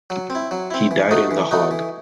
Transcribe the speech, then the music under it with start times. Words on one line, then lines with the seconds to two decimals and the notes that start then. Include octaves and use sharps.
He died in The Hague.
0.10 F#3
0.30 C4
0.35 E4
0.51 F#3
0.70 C4 E4
0.91 E3
1.11 A3 D#4 F#4
1.31 E3
1.51 A3 D#4 F#4
1.71 E3